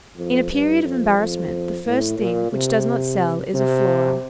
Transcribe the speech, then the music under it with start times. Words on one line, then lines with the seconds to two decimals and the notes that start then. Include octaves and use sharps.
In a period of embarrassment, the first thing which does not sell is a Flora.
0.17 F2
0.51 G2
0.84 F2
1.18 F2
1.85 A2
2.19 A#2
2.52 C3
3.54 C3